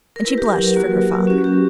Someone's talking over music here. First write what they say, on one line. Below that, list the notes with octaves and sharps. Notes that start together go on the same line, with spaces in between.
And she blushed for her father.
A#4
E4 B4
G4
A#4
F#3 G4
A#4
A#3 F#4
F#3 G4
C#4 F#4
G4
F#3